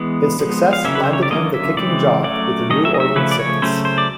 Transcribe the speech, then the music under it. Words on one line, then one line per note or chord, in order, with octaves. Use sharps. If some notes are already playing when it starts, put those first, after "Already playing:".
His success landed him the kicking job with the New Orleans Saints.
Already playing: E3 G#3 B3
F3 G#3 B3
F5
C#3 F#3 A#3 C#4 E5
B4
C5
C#5
D5
D3 F#3 A#3 C#4 D#5
E5
C#3 E3 G#3 C4 D5
F#3 A3 C#4 D5
D#3 F#3 A3 C#4 D#5
E5
D#5
E5
C#3 F3 A3 C#4 B4
D5
C#5
C#3 F#3 A3 C#4 C5
C5
D5